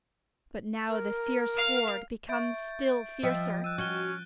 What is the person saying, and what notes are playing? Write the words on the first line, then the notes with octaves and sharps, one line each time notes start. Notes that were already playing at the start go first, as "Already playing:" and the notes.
But now the fierce horde becomes still fiercer.
A#4
F5
E5 C#6 G6 A6 D7
F3 D#5 E5 G5
E6 F#6 D#7
C#4 F#4 F#6 G7